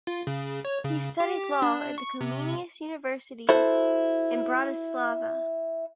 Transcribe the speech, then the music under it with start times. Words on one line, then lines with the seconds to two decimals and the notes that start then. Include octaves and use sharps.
He studied law at the Comenius University in Bratislava.
0.07 F4
0.27 C#3
0.65 C#5
0.84 C#3
1.20 G4
1.62 D4
1.98 C#6
2.21 C3
3.49 E4 F#4 A4 C5